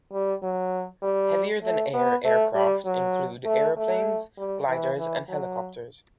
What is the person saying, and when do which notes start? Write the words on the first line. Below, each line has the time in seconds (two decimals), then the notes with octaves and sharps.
Heavier-than-air aircraft include airplanes, gliders and helicopters.
0.13 G3
0.43 F#3
1.03 G3
1.63 A3
1.94 B3
2.24 A3
2.55 G3
2.85 F#3
3.46 A3
3.77 A3
4.38 G3
4.68 E3
4.98 E3
5.29 F#3